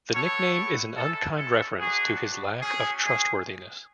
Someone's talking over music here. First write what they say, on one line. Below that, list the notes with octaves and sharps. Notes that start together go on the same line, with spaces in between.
The nickname is an unkind reference to his lack of trustworthiness.
B3 E4 A4 C#5
G#3 C#4 E4 A4
A4
B3 D4 F#4 G#4
A3 C#4 F#4 G#4
G#4